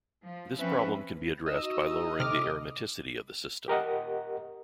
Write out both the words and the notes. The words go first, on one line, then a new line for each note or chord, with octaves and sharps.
This problem can be addressed by lowering the aromaticity of the system.
F3
F3 C4 C#4 B4 E5
D#4 D#5 E6
F#4
C3 A4 D6 F6
G4 A#4 D#5 F#5